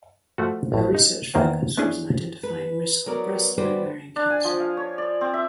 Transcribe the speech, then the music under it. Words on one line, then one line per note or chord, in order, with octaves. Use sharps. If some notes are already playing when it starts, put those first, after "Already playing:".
Her research focus was on identifying risk for breast and ovarian cancer.
F3 A3 F#4
A1 A2
D#4
E2 D#3 A#3 C5 G5
B3 C#4 D4 E4 G#4 B4
B4
F#3 B3 A#4 D5
G3 F#4 B4 C5 D5
D4
G#5
F3
F5
C#5
D5
C4
E5